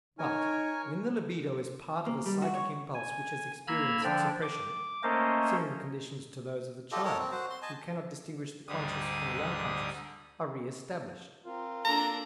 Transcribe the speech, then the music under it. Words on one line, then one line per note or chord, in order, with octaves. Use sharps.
But when the libido is part of a psychic impulse which has experienced suppression, similar conditions to those of the child, who cannot distinguish the conscious from the unconscious, are reestablished.
D#4 A#4 C#5 G#5
A#3
G3
F#4
C#5
G#5
A#3 A#5 B5 E6 F6 G#6
D3 F3 D4 D5 G5
D6
A3 A#3 C#4 A#4 C5 D#5
F4 G4 A4 D#5
A4 A#4 C#5 D#5
C4
F#4 C5
C6
D#5 G#5 A5
D2 G#2 D3 G3 D#6
C4 F4 A#4
A#3 D4 A4 A5 A#5